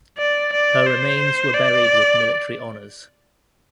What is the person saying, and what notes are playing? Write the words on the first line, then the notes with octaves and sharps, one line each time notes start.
Her remains were buried with military honors.
D5
D5
C5
D5